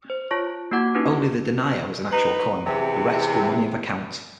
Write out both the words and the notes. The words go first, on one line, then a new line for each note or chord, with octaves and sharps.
Only the denier was an actual coin; the rest were money of account.
C5
F4 C#5 A5 C#6
A#3 E4 F#4 F#5 D6 G#6
C4 C#4 D#4 E4 G4 B4
D#4 B4
E2 C3 E3